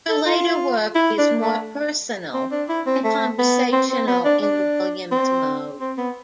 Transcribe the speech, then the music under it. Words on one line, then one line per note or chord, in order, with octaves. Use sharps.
Her later work is more personal and conversational in the Williams mode.
A4
F4
E4
D4
A3
C4
D4
E4
C4
A3
B3
C4
C4
B3
D4
D4
C4
C4
B3